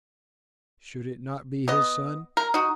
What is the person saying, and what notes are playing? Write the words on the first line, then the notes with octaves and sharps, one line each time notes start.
Should it not be his son?
B3 D#5
A#4
D#4 F#4